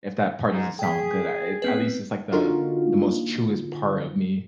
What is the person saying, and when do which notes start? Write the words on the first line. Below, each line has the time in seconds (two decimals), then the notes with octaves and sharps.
if that part doesn't sound good, I, eh, at least it's, like, the the most truest part of me,
0.49 G#2
0.79 G#4 G5 B6
1.62 B3 C4 B4
2.32 D3 A#3 D#4 F4 F#4